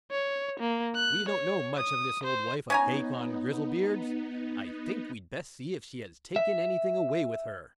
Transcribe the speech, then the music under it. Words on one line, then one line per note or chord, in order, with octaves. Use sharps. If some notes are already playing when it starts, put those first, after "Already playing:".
'We don't know much of this old wife of Hacon Grizzlebeard's, I think we'd best see if she has taken anything away with her.'
C#5
A#3
F#6
C#5
D#6
C5
B3 C#4 D#4 G#5 A#5
E5